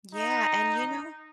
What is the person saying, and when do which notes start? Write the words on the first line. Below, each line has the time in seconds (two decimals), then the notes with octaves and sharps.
Yeah, and you know
0.14 D#4